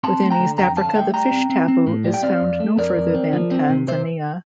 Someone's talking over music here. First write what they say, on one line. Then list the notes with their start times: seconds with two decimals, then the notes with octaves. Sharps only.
Within East Africa, the fish taboo is found no further than Tanzania.
0.04 C4 A5 C6
0.22 A3
0.30 G5 A#5
0.40 D3
0.58 F2 G5 A#5
0.77 D3 F5 A5
0.89 A5
0.95 A3 E5 G5
1.14 G3 G5 A#5
1.31 C4
1.50 C4
1.68 C4
1.87 A2
2.04 G3
2.14 G5
2.23 C4 D5 F5
2.41 F2
2.60 A3
2.78 F2 A#4 D5
2.96 F2
3.14 C4
3.33 F3
3.51 C4
3.70 C3
3.88 C3 C5 E5